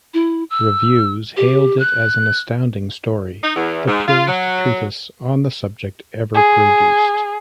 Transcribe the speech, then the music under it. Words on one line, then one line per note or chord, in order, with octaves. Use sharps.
Reviews hailed it as an astounding story...the purest treatise on the subject ever produced.
E4
E6
G4
F#6
D#4
E2
G#2
F4
F#3
G#4